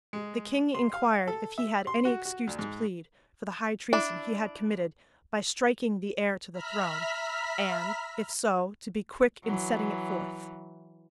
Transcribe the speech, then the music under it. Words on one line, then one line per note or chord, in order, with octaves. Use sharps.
The king inquired if he had any excuse to plead for the high treason he had committed by striking the heir to the throne, and, if so, to be quick in setting it forth.
G#3
C6
F5
A4
E5
C6
F#4
F#4
D2
G#2
D4 E4 D5
E5 A#5 B5 F6 B6
E3 F#3